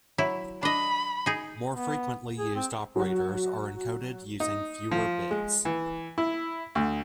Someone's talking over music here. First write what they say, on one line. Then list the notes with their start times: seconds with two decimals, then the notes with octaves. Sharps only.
More frequently used operators are encoded using fewer bits.
0.18 F#3 E4
0.63 D4 D#5 B5
1.26 D#4 G#4
1.74 B3
2.39 G#4
2.55 C4
2.96 F#3 F#4
4.40 D#4
4.92 F3
5.31 G#3
5.65 E3
6.18 E4
6.75 D2